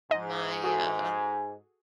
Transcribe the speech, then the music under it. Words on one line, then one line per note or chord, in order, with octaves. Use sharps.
my, uh
G#2 D#5
F#4 G#4 A4 G#5